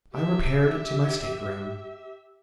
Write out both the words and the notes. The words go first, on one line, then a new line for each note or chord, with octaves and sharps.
I repaired to my stateroom.
G4 E5